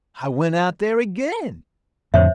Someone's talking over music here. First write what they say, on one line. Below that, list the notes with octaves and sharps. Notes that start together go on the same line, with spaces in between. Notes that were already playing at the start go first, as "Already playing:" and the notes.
I went out there again.
F2 A2 D3 C5 C#5 E5